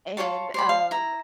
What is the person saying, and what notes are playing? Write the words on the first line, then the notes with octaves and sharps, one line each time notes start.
And, um,
F4 G#4 C#5 A5
C5 D5 B5
F5
E4 A#5